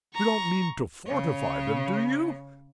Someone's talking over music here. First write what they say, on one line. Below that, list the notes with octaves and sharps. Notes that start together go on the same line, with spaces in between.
You don't mean to fortify them, do you?'
A#5 C#6
C#3 C#5